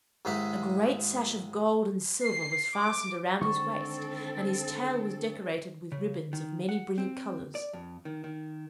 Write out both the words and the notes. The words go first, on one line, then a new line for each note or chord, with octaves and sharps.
A great sash of gold and silver was fastened around his waist and his tail was decorated with ribbons of many brilliant colors.
D#2 G#2 G#3 E4 B5
C7
D6
D3 D#3 G#3 C4 A4 C#6
C#3
D#3
F#5
C4
D5
F2
D#3
D#3